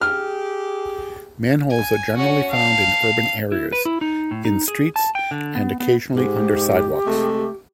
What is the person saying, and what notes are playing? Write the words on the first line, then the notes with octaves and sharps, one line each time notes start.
Manholes are generally found in urban areas, in streets and occasionally under sidewalks.
G4 G#4 F6
G#5
C#4 F#4
F5 A5
E4
B4
E4
D#4
A2
D#4
G#4
A5
G5
D3
B3
B3
G#2 G4
C3 G#3 A3